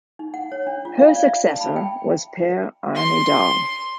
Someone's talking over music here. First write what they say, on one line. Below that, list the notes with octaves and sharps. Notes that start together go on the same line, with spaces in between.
Her successor was Per Arne Dahl.
D#4
F#5
C#5
D4
F4
F5
D5
E5
A5
B5
G5
C6